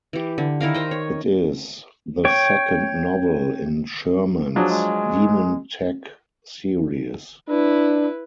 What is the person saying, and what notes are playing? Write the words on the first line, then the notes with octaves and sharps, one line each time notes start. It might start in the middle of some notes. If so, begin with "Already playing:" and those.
It is the second novel in Sherman's DemonTech series.
E3 G4
D3
D#3 E4 A#4 F5
A#4 C5 D#5 G5
C#5
C#5 G5 C#6
F3 F#3 D4 G#4
G#3
D4 E4 B4